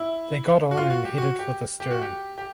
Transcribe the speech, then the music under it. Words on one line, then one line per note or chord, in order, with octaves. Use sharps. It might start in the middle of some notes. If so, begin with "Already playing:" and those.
They got on and headed for the stern.
Already playing: E4
F#4
F4
F#4
G4
F#4
G4
G4
F#4
G4
G4